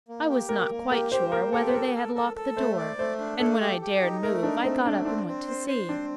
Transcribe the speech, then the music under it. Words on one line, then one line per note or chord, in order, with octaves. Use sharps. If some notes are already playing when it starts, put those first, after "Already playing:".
I was not quite sure whether they had locked the door; and when I dared move, I got up and went to see.
A#3
G4
A#3 A#4
A#3
G4 A#4
G4 C5
A#3 A#4
G4 A4
C5
A4 A#4
A4
A4 A#4
A4
A3 C5
D5
A3 C5
D4
A3 A4
G4
G4
D#4
A3 A#4
D4 D#4
A3 C4
A3 D4
C4 D4
C4
C5
C5
C4 D4